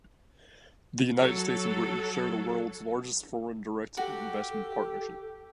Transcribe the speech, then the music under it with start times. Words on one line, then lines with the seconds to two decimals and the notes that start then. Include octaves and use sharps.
The United States and Britain share the world's largest foreign direct investment partnership.
1.18 F#3 A4
3.97 F#4 G4 A4